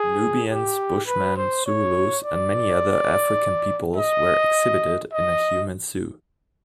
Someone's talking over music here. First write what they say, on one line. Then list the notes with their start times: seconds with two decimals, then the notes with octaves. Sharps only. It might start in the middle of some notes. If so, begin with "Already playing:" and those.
Nubians, Bushmen, Zulus and many other African peoples were "exhibited" in a human zoo.
Already playing: G#4
0.50 G4
1.07 B4
1.37 C5
1.66 C#5
2.24 D5
3.97 D#5
5.12 D#5